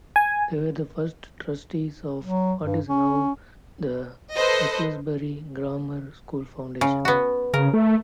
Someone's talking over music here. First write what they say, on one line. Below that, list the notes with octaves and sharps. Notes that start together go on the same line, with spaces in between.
They were the first trustees of what is now the Aylesbury Grammar School Foundation.
G#5
F#3
G2
C#4
A4 B4 C5 D#5
C#3
B3 F#4
C#3 A#4
A3